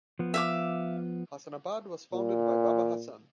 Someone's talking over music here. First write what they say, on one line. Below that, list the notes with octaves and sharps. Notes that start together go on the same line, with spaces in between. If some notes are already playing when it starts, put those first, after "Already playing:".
Hassanabad was founded by Baba Hassan.
F3 B3
E5 F5 D6
A#2